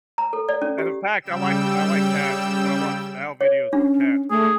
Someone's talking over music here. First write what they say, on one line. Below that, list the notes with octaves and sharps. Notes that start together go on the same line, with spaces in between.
and in fact, I like t I like cats, and so I watch owl videos with the cats where they
A#5
A4
D5
C#4
G4
C#3 G3 G5 E6 E7
C#5
C#4 D4
A3 G#4